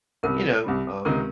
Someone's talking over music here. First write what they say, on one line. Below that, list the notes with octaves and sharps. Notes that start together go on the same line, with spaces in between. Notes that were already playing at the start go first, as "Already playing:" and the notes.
you know, um
C2 C3 G3 A#4
C2 C3 G3
C#2 C3 D#3 G#3 D#4 A#4